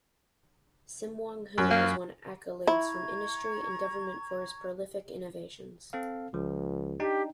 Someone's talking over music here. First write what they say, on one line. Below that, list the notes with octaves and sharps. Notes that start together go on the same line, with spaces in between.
Sim Wong Hoo has won accolades from industry and government for his prolific innovations.
F#2
A#3
E4 A#5 C#6 G#6
C4 A4 F5
C#2 F3
D4 D#4 G4 G5